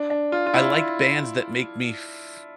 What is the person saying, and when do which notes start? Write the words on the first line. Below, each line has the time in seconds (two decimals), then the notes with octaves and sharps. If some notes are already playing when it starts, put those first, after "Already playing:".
I like bands that make me f
Already playing: D4
0.10 D4
0.32 F4
0.47 F4
0.54 E4